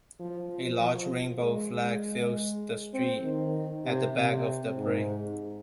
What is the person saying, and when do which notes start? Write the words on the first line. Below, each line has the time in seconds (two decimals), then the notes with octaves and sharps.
A large rainbow flag fills the street at the back of the parade.
0.20 F3
0.50 F3
0.80 F3
1.42 G#3
1.72 G#3
2.94 C4
3.24 D#3
3.85 C3
4.15 C3
4.77 G#2